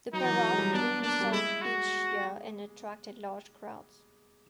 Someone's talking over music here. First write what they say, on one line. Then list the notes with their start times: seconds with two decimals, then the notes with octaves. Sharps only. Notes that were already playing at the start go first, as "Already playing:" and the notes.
The Parade grew in size each year and attracted large crowds.
0.13 F#3 D#4
0.24 E3
0.32 F#3
0.52 G#3
0.58 G3
0.73 B3 D4
1.02 A#3 D4
1.21 G3
1.32 G#3 E4
1.61 F#4